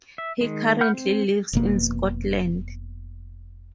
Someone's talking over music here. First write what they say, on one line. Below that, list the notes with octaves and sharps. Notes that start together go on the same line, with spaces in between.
He currently lives in Scotland.
E5
D#3 G#3
F#5 B5 F6 G6
C4
F1 B2 A#3